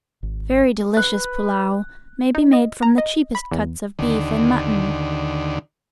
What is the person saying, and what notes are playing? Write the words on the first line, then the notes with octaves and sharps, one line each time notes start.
Very delicious pullao may be made from the cheapest cuts of beef and mutton.
G#1
B4 F#6
D#4
D#5
A#5
D#5
B5
E2
D#2 D3